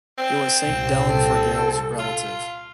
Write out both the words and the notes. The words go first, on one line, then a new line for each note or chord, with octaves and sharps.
He was St. Dallan Forgaill’s relative.
C4
C2 A#2
A4
F4